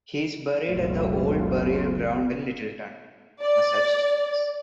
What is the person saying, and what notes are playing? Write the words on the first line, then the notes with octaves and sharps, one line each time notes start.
He is buried at the Old Burial Ground in Littleton, Massachusetts.
F#1 C#2 B2 F#3 A3 F4
D5